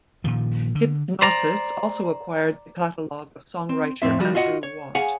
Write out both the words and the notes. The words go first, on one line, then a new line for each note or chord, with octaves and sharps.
Hipgnosis also acquired the catalogue of songwriter Andrew Watt.
A#2 D#3 F3
D3
C5 D5 A#5
C4
F2 A2 C4 E5
F3 G3 F#4
F4 F#4 D#5 F#5
C#5
G#4 C#5 F5 F#5 G#5 B5